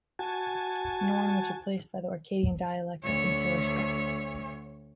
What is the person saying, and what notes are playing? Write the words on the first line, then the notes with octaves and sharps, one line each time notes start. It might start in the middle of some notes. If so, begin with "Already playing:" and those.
Norn was replaced by the Orcadian dialect of Insular Scots.
F#4 G#5 A5
D2 C#5